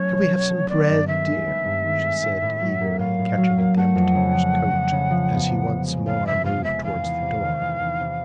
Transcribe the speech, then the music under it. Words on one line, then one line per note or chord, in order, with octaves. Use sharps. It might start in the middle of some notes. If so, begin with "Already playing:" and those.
Shall we have some bread, dear?' she said eagerly: catching at the undertaker's coat, as he once more moved towards the door.
Already playing: F#3 A3 C#4 C#5
B2
F#3
A3
B3 D5
G2
D#3 E5
G#3
B3
G2
D#3
G#3
A2
A2
F#3
A#3
A2 F5
A2
F#3
A#3
A3 F#5
F2
C#3
F3
A3
F2
C#3
F3
B3
C3
F3
G#3
B3 F5
C3 E5
F3 F5
G#3 E5
E2 F5
E2
C3
D#3
E2
E2
C3